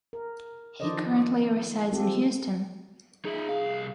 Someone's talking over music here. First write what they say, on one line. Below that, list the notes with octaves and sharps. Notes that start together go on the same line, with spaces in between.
He currently resides in Houston.
A#4
D#3 F3 A4 C5 D5 D#5
G3 G#3 C4 F4 G4 A4
D#4 G#4 E5
C2 F5